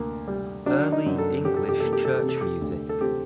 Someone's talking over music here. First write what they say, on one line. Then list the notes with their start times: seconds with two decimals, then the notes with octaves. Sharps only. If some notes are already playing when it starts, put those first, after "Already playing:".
Early English Church Music.
Already playing: D2 A#3
0.28 G3
0.66 F#3 D4
0.92 D#4
1.06 F#2
1.18 A4
1.44 F#2 G4
1.56 A4
1.69 G4
1.80 A#3 A4
1.93 G4
2.05 A4
2.16 G4
2.23 C3
2.29 A4
2.41 G4
2.62 D2
2.89 A4
3.01 C4 G4